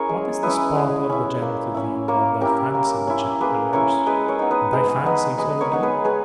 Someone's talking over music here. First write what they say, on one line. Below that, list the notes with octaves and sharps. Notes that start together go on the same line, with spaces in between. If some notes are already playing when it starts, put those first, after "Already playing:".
What is the sparkle of the gem to thee without thy fancy which it allures, and thy fancy is all a dream.
Already playing: C#4 E4 G#4 A#4 C#5
G#3
C#4 E4 B4 D#5
G#3
C#4 E4
A#3
C#4 E4
A#3 A#4 C#5
C#4 E4 G4 A#4
A#3
C#4 E4
A#3 G#4 B4
C#4 E4 A#4 C#5
G#3 G#4 B4
A#4 C#5
B3 D#4
B4 D#5
G#3 G#4 B4
B3 D#4 B4 D#5
G#3 B4 D#5
A#4 C#5
B3 D#4
G#4 B4
G#3 G#4 B4